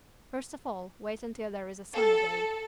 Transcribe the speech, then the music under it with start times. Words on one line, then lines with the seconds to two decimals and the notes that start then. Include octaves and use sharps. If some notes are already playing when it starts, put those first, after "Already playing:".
First of all wait until there is a sunny day.
1.93 A4